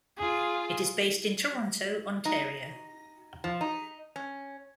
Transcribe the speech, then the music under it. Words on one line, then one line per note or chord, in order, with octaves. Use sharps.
It is based in Toronto, Ontario.
F4 G#4
D#4
F3
D#4
C#4